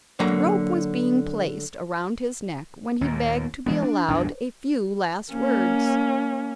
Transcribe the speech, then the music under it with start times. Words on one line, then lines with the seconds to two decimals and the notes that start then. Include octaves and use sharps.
The rope was being placed round his neck, when he begged to be allowed a few last words.
0.20 D3 F#3 A#3 A#5
3.01 D#2 A#2
3.66 E3 G#3 B3
3.82 D4
4.08 A#1 E2 G2 D4
5.32 A#3 C#4